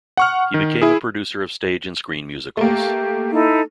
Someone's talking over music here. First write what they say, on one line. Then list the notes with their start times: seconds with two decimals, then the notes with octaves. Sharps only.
He became a producer of stage and screen musicals.
0.17 F#5 C#6 F6
0.54 D#3
0.82 E4 G#4
2.57 A3 A#3 G4
3.32 D#4 E4 A4